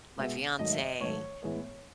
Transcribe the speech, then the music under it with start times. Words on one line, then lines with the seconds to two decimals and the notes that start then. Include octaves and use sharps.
my fiance.
0.18 B2 G#3 B3 E5
0.59 G#2 D#3 F#3 A3 D#5
0.71 E5
0.82 D#5
1.00 G#2 D#3 F#3 A3 C#5
1.43 A2 E3 G#3 B3 C#5